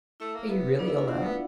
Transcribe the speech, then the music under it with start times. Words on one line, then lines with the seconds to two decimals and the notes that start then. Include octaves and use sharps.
Are you really alone?
0.20 A3 E4 E5
0.36 A#3
0.49 B3
0.79 B3 D4 D5
0.88 E4 E5
0.98 F4 F5
1.07 C4 F#4 F#5
1.23 B3